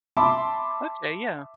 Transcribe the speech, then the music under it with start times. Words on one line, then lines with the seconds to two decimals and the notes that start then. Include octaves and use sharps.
Okay. Yeah.
0.17 E5 A5 B5 C6 D6